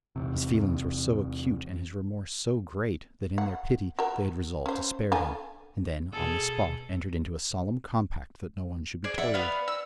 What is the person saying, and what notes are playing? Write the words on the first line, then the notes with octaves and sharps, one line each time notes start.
His feelings were so acute and his remorse so great that, in their pity, they had resolved to spare him; and then, on the spot, entered into a solemn compact that no one should be told.
E2 C3
F#5
F#4 A#4
C#4 C5
D4 A4 G#5
B2 G#4 A4
G#4 D5
D5 E5 F#5
B3 B4 F5
E6